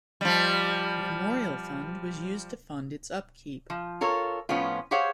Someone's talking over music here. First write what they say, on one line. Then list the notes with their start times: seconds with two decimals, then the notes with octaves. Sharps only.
Memorial Fund was used to fund its upkeep.
0.21 F3 G3
3.70 F3
4.01 F4 A4 A#4 C#5
4.49 A2 F3 B3 C#4 F4
4.91 G4 G#4 C5 C#5 F5 F#5